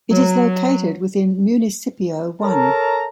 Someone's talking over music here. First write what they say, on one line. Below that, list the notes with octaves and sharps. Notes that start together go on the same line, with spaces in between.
It is located within Municipio I.
F#3
A4 A#4 C#5 A5 A#5